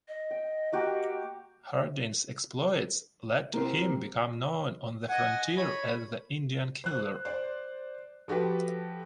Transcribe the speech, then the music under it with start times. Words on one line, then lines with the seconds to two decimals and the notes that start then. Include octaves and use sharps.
Hardin's exploits led to him become known on the frontier as "The Indian Killer".
0.08 D#5
0.31 G5
0.72 A#3 F#4 G4
3.53 C3 A#3 E4 A#4 C5
5.09 D#5 F#5 G#5
5.57 C#5 B5
6.84 C5 F#6
7.25 C5 D5
8.28 F3 F#4 G4 A4 B4